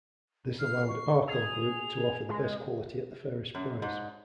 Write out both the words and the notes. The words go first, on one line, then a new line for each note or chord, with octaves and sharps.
This allowed Arcor Group to offer the best quality at the fairest price.
F6 C7
C#6
G#4 F7
G#3
F#2
G#2